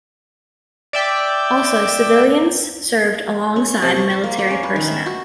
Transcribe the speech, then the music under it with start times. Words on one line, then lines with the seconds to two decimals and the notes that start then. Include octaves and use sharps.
Also, civilians served alongside military personnel.
0.93 D5 E5 G5
3.56 C#4
3.68 C#5
3.82 C3
3.96 C#5
4.10 C5
4.24 A#3
4.38 A#3
4.50 C#4
4.63 B4
4.76 D#3
4.88 E5
5.06 F#4